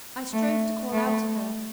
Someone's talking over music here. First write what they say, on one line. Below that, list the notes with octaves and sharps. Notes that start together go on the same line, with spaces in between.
I strove to call out to her.
A3
A3